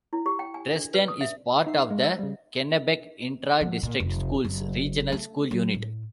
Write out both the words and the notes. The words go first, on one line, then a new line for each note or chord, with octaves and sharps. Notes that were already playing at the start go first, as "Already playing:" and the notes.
Dresden is part of the Kennebec Intra-District Schools Regional School Unit.
E4
G4
G5
G#5
D4
B4
D#6
E5
D#4 E5 C7
G#3 F5
C5 F#5 E6
C#3 G3
F3
A#2
F1
F#1
A3
F#3
A2